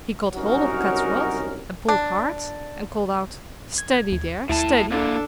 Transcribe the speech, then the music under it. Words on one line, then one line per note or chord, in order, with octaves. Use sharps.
He caught hold of Kat's rod and pulled hard and called out, "Steady there, steady!"
C2 F#3 C#4 D#4 F#4 A#4
D4
G#6
D#2
D#2 A2 E4 A5
D3 A#3 D4 A4